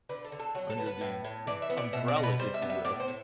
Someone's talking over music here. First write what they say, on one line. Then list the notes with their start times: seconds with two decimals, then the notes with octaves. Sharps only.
under the m umbrella, if you will,
0.09 D3 B4
0.25 A4
0.32 D3
0.40 A4
0.55 F#3 F#4
0.70 A4
0.78 B3
0.86 B4
1.01 A2
1.24 A2
1.47 E3 D5
1.62 E5
1.70 B3
1.77 D5
1.93 B2 E5
2.08 D5
2.16 B2
2.23 B4
2.39 G3 C5
2.54 E5
2.62 B3
2.70 E5
2.85 A2 D5
3.00 C5
3.08 A2